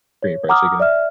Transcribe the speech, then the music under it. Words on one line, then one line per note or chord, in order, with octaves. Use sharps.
Korean fried chicken.
C#5
F#5 A#5 D6 D#6 F6
D5 E5 F6